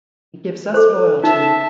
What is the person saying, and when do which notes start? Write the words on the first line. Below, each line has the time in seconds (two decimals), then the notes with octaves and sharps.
He gives us loyalty.
0.74 A4 C5
1.24 D#4 E5 A5